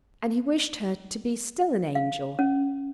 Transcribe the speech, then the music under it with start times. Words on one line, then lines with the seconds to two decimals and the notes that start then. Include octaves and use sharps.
And he wished her to be still an angel.
1.95 F5
2.39 C#4